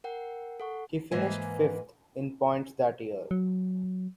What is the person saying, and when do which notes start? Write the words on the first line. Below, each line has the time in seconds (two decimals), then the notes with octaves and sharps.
He finished fifth in points that year.
0.04 A#4 F#5 G5
0.60 A4 F#5 C#6
1.11 G#2 E3 A#3 B4 D#5 G#5
3.31 F#3